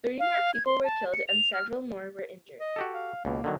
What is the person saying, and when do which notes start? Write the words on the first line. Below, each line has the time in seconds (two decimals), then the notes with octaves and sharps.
Three more people were killed and several more were injured.
0.19 F5
0.54 G#6
0.66 C6
0.84 A5
1.13 C#7
1.28 F7
1.53 F6
2.60 D#5
2.76 F#4 G4 A4
2.94 F5
3.25 C#2 B2 A#3
3.44 D3 D#3 F#3